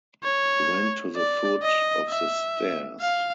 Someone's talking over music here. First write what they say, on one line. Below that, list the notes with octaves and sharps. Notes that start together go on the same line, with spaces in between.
He went to the foot of the stairs.
C#5
D5
D#5
E5
F5